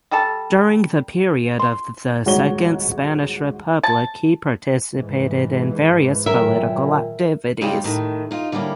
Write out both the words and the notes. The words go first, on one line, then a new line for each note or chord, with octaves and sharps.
During the period of the Second Spanish Republic he participated in various political activities.
G3 G4 A4 A5
C6
D#1 G#2 F#4 C#5 G7
A5
G#2 E3
A#2 D#3 F#3 A#4 E5
G#2 C#3 G3 G#3 G4 D5
A2 D#3
D#4 F4
D3 G3 A#3 C#4 E4